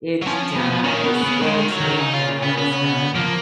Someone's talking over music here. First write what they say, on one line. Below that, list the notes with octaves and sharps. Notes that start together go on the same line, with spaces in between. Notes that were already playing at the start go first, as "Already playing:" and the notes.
it does it it does, um,
F#3
F3 C#4
B3
B3
D#3 C#4
B3
C#3
B3
D#3 G#3
C#3
D#3
F3
F#3
D#3
C#3 D#4
F4
B3
B3
F3 A#3